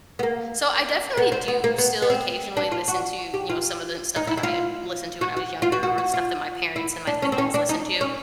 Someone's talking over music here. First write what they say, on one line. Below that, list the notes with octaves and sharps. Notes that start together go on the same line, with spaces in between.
So, I definitely do still occasionally listen to, you know, some of the stuff that I listened to when I was younger or the stuff that my parents and my siblings listened to,
B3
A#3
B3
C4
B3
A#3
B3
B3
C4
D4
F4
F#4
G4
F4
D#4
E4
E4
F4
F#4
F#4
F4
F#4
F#4
F#4
F4
E4
D4
C#4
C4
C#4
D4
D#4
C#4